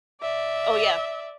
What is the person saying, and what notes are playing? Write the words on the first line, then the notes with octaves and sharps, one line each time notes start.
Oh, yeah.
D5 E5